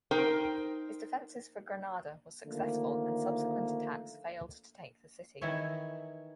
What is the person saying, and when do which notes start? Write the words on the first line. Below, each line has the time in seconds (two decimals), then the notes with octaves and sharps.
His defenses for Granada were successful and subsequent attacks failed to take the city.
0.11 D#4 A#4 C5 G5
2.46 D3 D#3 F3 A3 A#3
5.41 D#3 E3 E4 C#5